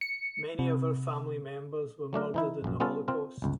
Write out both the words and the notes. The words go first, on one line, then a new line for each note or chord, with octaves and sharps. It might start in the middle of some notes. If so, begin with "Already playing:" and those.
Many of her family members were murdered in the Holocaust.
C#7
C3
F#3 A3 D4 A#4
E3 D#4 E4
A#1 F#2
G3 B3 C#4 F4 A4
C4 F4 A#4
G1 C#2